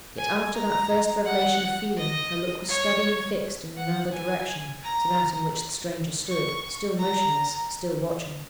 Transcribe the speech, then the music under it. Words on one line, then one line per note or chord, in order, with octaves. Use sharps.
Yet after that first revelation of feeling, her look was steady and fixed in another direction to that in which the stranger stood,--still motionless--still watching.
G#5
A#5
F#5
D#5
C#5
F#5
G#5
A#5
C#6
A#5